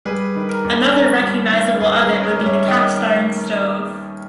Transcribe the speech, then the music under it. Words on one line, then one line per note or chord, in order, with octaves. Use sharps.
Another recognizable oven would be the cast-iron stove.
G3 G#4 B4
D#3
A#4
D#2
C#4 A#4
G3
D#3
D#2 G#4 B4
A#4
G#4
C#4
A#4
G3
C#5 E5
D#3 D#5 G5